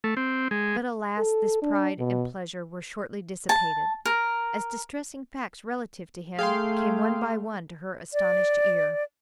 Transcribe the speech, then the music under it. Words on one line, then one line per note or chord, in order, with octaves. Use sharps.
But, alas! this pride and pleasure were shortly dissipated, as distressing facts relative to him came one by one to her astonished ear.
A3
C4
G#3
A4
D4
B2
A5
A#4
A3 G#4 F5 G5 C6
D5